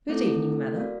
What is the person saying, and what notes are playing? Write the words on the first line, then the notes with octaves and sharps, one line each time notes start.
'Good evening, Mother.'
A3 C4 E4 A4
F#4 A#4 D5 F5